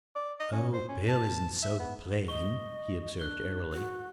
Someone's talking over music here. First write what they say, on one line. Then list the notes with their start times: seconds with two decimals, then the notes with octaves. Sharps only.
"Oh, Bill isn't so plain," he observed airily.
0.16 D5
0.40 D#5
0.52 C#4
0.74 C5
0.88 C#4
1.08 A5
1.62 E5
1.79 B3
2.28 D#5 C#6 G7
3.20 D4 F#6 G7
3.73 F#4